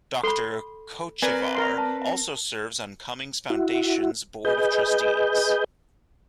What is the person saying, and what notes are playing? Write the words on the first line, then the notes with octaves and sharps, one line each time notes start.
Doctor Kochevar also serves on Cummings Foundation's board of trustees.
A4 B5 C6
C4 A#4 B4 D5 G#5
A#4 C6
A5
E4 F#4
G#4 B4 D#5 G6